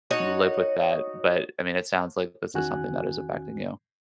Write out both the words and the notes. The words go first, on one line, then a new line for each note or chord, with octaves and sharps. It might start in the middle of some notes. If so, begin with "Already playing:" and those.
live with that, but, I mean, it sounds like this is something that is affecting you.
D#4 F#4 C#5
E2 D#3 C#4 F#4 G#5 F#6